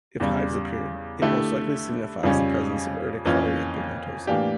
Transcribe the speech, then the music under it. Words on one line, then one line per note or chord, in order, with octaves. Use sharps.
If hives appear, it most likely signifies the presence of urticaria pigmentosa.
E2 C#3 G3
D3 A3 E4 G4
F2 C#3 G3 C#4
F2 E3 A#3 C#4 F4
A2 E3 A#3 D4 G4